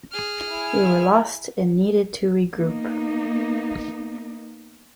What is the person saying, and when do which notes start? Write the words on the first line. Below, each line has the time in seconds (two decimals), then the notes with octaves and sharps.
We were lost and needed to regroup.
0.11 G#4 F6
0.49 E4 G#5
2.55 A#3 B3 D#4